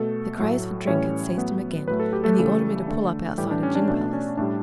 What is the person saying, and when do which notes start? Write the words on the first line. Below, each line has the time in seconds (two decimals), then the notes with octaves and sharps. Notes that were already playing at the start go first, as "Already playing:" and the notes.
The craze for drink had seized him again, and he ordered me to pull up outside a gin palace.
Already playing: B2 A3 A4
0.38 A2 F#3 A3
0.87 A2 E3 G3 C#4 C#5
1.37 A2 F#3 A3 B3 B4
1.88 A2 F#3 A3 B4
2.00 A4
2.13 G4
2.24 A3 A4
2.38 C#3 E3 G3
2.88 D3 A3
3.38 A2 E3 G3 A3 G4
3.51 D4
3.63 C#4
3.75 D4
3.88 B2 A3 D4
4.13 C#4
4.37 A2 G3 D4